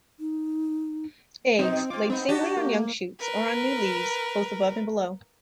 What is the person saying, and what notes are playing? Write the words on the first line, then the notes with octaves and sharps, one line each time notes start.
Eggs: Laid singly on young shoots, or on new leaves, both above and below.
D#4
F2 B2 C4 D#4
C4 F4 D6
B3 C4 D#4
D4 F#4 G4 A5
A#3
A#4 B4